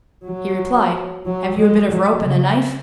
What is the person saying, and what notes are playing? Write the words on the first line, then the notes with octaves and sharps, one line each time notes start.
He replied, "Have you a bit of rope and a knife?"
F#3
F#3
G#3
F#3
C#3